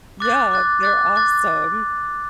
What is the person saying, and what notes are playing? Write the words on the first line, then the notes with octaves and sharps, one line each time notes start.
Yeah, they're awesome
D6 F#6 A6
D6 F#6 A6
D6 F#6 A6
D6 F#6 A6